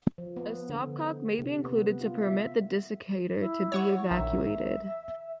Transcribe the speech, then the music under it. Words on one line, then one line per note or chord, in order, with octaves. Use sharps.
A stopcock may be included to permit the desiccator to be evacuated.
F3
B3
D3
C3
B3
F4
E5
E4
C#5 F#5 C#6
A#1 D#3 E5